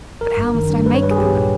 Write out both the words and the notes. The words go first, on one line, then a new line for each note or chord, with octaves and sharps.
'But how must I make them know?
G1 A#4
G2
D#3
G2
G3 B4
C#5
G3 B4
G#4
B1 G4
A#2